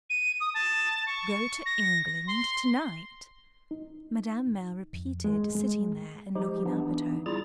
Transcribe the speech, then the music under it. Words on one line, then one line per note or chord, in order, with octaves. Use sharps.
"Go to England to-night!" Madame Merle repeated sitting there and looking up at her.
D#7
D#6
A5
C#6
A#6
C6
D#4
F2
G#3
G#3
F3 G#3 D#4 G4
E3 B3 D4 D#4
G3 E4 F4 G#4 A#5 A6